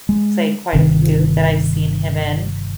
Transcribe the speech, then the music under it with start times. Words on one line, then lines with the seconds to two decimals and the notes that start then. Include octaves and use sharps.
say quite a few that I've seen him in,
0.09 G#3
0.73 G1 C3 D#3